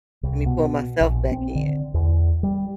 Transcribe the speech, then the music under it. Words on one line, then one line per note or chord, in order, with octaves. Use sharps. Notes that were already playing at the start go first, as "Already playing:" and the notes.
let me pull myself back in."
C2
B2
A#1
C4
D3
E2
G3